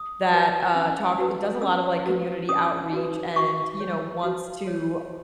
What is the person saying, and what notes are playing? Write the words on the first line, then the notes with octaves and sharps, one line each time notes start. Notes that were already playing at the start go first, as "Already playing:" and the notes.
that, uh, talk it does a lot of, like, community outreach and, you know, wants to
Already playing: D#6
F#4 B4
C#4
F#4 B4
C#4 E6
F#4 B4
C#4 D#6
F#4 B4
F#4 C#6
C#5
F#4
C#5